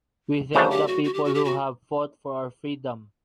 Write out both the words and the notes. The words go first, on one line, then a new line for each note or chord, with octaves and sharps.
We thank the people who have fought for our freedom.
F#2 C#3 E3 A3 D4 C5
G4
F#4
F#4
G4
F#4
G4
F#4